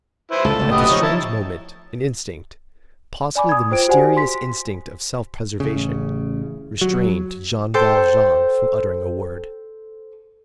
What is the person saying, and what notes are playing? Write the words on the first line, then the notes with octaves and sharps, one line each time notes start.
At this strange moment, an instinct--possibly the mysterious instinct of self-preservation,--restrained Jean Valjean from uttering a word.
E4 B4 C5
C#2 A#2 A4
F#1 B1 A3
B3 G4 D#5
F3 D#4 C#5
E4 A5
D5 G#5 B5 D6
D#6 G#6
F4 C5 G5 D7
F#4 G4 C5 D5 F#5 G#5
C6 B6
A1 C#3
F#3
A4 C5 G5